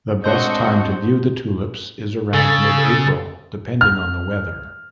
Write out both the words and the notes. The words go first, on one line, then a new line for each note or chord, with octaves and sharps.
The best time to view the tulips is around mid-April, depending on the weather.
G#3 C4 D4 F#4 D#5 C6 D#6 G6
C#3 A4 G#5 E6 A6
F6